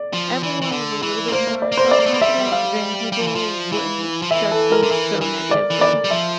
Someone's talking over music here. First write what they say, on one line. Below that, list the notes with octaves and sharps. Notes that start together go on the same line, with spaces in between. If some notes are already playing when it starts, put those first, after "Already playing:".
everyone was a little bit more self-confident, then people wouldn't judge them so negatively
Already playing: D5
F3
E3
E3
D3
E3
C4
A#3 C5
C5
D5
A#3
C5
C4 D5
A#3
A3
A#3
G3 E5
F5
G3
F3
E3
F3
E3
F3
E3 E5
A4
A#4
D3
E3
E3
D5
E3
D5
G3
F3 E5